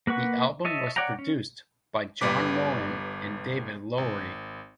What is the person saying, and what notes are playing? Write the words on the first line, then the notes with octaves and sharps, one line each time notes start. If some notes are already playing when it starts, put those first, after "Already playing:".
The album was produced by John Morand and David Lowery.
A#3 B4 F#5 C#6
C#5 D#5 E5 A5
C#5 D5 F#5 G5 A#5
C#4
G1 G3 B4 D6 B6
G#1